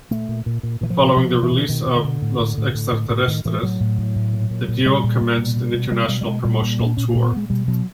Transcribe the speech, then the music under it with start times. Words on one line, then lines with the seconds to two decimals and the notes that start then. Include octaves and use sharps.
Following the release of "Los Extraterrestres" the duo commenced an international promotional tour.
0.11 A#2 A3
0.29 A#2
0.46 A#2
0.63 A#2
0.81 A#2 E3
0.90 F3
0.99 A#2
1.16 B2 F3
1.34 B2
1.43 E3
1.51 B2
1.69 B2 D#3
1.87 B2
1.96 D3
2.04 B2
2.22 A2
2.40 A2
2.58 A2
2.75 A2
2.92 A2
3.10 A2
3.27 A2 D#3
3.45 A2 E3
3.63 A2 F#3
3.80 A2
3.98 A2
4.16 A2
4.33 A#2
4.50 A#2
4.68 A#2
4.85 A#2 G3
5.03 A#2
5.21 A#2
5.38 B2
5.56 B2
5.74 B2
5.91 B2 G3
6.08 B2 G3
6.21 G3
6.26 B2 G#3
6.44 A#2 G3
6.62 A#2
6.80 A#2
6.86 D4
6.97 A#2 C#4
7.10 A#3
7.15 A#2
7.23 B3
7.32 A#2 G#3
7.50 B2 G3
7.68 B2 F#3